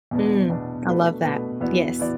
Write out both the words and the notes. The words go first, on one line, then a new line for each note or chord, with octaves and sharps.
Mm, I love that, yes.
E2 B2 B3 D4
E2 B2 B3 D4
B2 A3 D4 F#4 B4
B2 A3 D4 F#4 B4
E2 E3 B3 F#4 D5
E3 B3 F#4 D5